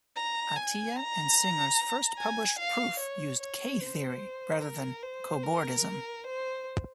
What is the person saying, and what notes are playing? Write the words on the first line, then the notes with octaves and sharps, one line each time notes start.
Atiyah and Singer's first published proof used K-theory rather than cobordism.
A#5
G#5
A#5
G#5
F5
C#5
C#5
C5
A#4
C5
A#4
C5